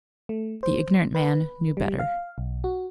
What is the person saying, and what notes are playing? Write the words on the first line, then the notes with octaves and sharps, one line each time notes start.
The ignorant man knew better.
A3
C5
B4
G3
F5
B1
F#4